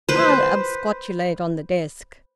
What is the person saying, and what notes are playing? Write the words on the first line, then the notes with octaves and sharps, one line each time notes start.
I'll absquatulate on the desk.
B4 C5